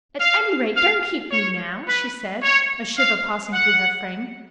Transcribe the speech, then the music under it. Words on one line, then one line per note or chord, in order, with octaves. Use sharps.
"At any rate, don't keep me now," she said, a shiver passing through her frame.
F5
F5
C#5
B4
C#5
F5
F#5